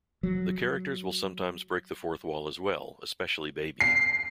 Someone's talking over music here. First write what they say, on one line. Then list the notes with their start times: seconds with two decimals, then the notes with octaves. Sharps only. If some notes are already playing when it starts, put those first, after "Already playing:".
The characters will sometimes break the fourth wall as well, especially Baby.
0.23 F#3
3.80 C7